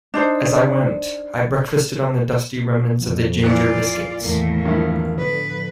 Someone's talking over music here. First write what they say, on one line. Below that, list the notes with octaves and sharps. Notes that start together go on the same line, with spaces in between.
As I went I breakfasted on the dusty remnants of the ginger biscuits.
D4 D#4 C5
F2
A#2 E3 F4 D5 F#6
E2 A2 D#3 A#3
G2 F3 E4
A2 D3 F3 B3 B4